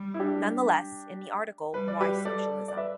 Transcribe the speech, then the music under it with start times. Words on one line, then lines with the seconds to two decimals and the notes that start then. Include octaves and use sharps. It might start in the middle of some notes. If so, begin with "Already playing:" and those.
Nonetheless, in the article Why Socialism?
Already playing: G3
0.14 E4
0.19 D4 G4
1.74 G3 B4
1.88 D5
2.01 G4 B4
2.25 A4 D5
2.68 D5
2.77 B4 E5